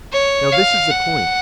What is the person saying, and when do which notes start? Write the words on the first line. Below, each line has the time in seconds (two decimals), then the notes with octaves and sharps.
Now this is the point.
0.13 C#5
0.52 F5
0.91 F#5